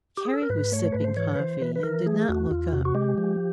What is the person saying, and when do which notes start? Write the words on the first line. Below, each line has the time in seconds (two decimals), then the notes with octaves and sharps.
Carrie was sipping coffee, and did not look up.
0.17 G4
0.26 G#4
0.34 A4
0.42 A#4
0.50 G#2 B4
0.72 A3 C#5
0.92 G#2 B4
1.04 C5
1.17 E3 C#5
1.35 B4
1.39 E3 C5
1.61 E3 B4
1.76 B4
1.83 E3 A#4
2.06 A3 G#4
2.28 E2 F#4
2.51 E2 F4
2.73 C3 F#4
2.85 F#4
2.95 G#3 G4
3.18 F3